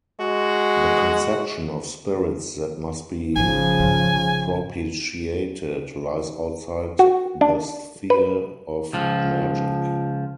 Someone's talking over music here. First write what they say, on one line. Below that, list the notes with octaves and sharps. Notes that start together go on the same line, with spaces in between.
The conception of spirits that must be propitiated lies outside the sphere of magic.
G#3 F#4
G#1 G#2 C#3 F3 G#5
G#1 F4
F#4
D4
B4
C#2 F3